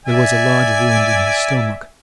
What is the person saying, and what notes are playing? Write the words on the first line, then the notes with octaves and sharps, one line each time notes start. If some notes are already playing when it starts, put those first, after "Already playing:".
There was a large wound in his stomach.
D5 E5 G#5